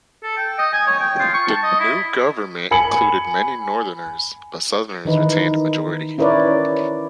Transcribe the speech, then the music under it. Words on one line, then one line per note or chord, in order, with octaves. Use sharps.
The new government included many northerners, but southerners retained a majority.
A4
G5
D#5
G#5
C#5
G5
F4
C#6
A5
D#5
E4
G#5 B5 C#7 F#7
D#3 E3 D#4 B4
C#4 E4 A#4 B4 C#5 D5